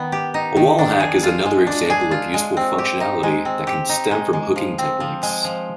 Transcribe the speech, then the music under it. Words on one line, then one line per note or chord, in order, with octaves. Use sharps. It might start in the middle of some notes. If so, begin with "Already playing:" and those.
A wallhack is another example of useful functionality that can stem from hooking techniques.
Already playing: D#3 B3
G4
D#4
D#3
D4
G#4
F4
G#3
D4
G#4
F4
G#3
C4
G4
D#4
G#3
C4
G4
D#4
G#3
G#3
F3
C4
F3
G#3
F3